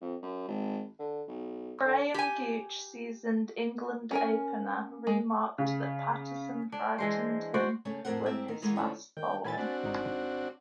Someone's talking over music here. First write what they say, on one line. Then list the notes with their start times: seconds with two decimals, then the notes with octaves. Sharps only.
Graham Gooch, seasoned England opener, remarked that Patterson frightened him with his fast bowling.
0.01 F2
0.22 F#2
0.48 G#1
0.99 D3
1.28 B1
1.85 D3
2.14 G4 G#5
4.11 C#4 A#4 G#5
5.07 G#3
5.58 C#3
6.72 D4
6.98 E3 G#3 C5
7.54 F#4 C5 D5
7.85 C#3 A3 C#4
8.05 F2 A2 A#4 C5 F#5
8.26 G#2 C4 G4 E5
8.48 D#3
8.62 D#3 E3 G#3 A#3 B3
8.76 D3 F3 A3 C#4
9.17 D#3 G5
9.44 A#2 E3 G#5 B5 A6
9.58 C4 D4 F#4
9.83 G#1 G#2 D#4